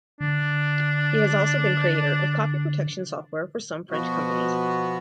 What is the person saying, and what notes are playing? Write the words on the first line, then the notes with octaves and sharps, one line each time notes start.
He has also been creator of copy protection software for some French companies.
D3 D4
B2 F3 B3 F#4